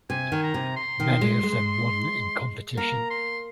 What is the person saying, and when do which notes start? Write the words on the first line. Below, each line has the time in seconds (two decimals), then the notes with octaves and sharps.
Many of them won in competition.
0.10 C3 G#5
0.32 D#3
0.44 A#5
0.54 C3
0.77 C6
1.00 D#3
1.21 G#3
1.43 G#3
2.77 A#3 A#5
3.10 C6